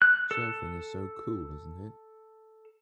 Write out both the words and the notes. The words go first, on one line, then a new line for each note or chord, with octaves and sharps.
Surfing is so cool, isn't it?
F#6
A4